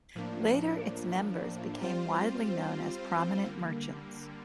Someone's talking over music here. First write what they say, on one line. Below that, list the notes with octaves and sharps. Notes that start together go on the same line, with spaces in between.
Later its members became widely known as prominent merchants.
A2 F3 A#3 D4
G3 C4 F4 C5
D3 G3 A#3